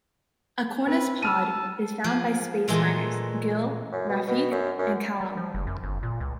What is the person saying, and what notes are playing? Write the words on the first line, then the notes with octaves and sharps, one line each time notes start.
Acorna's pod is found by space miners: Gill, Rafik, and Calum.
C4 B4
A5 E6 F6 D#7
F3 G#4
A#2 E3 G#3 A3
F#2
B2
B2
F#2
F#2
G3
F3
F#1
F#2
G1
A#2
C#2